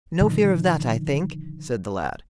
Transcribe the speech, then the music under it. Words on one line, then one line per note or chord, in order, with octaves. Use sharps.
No fear of that, I think,' said the lad.
A#2 D3 D#3 F3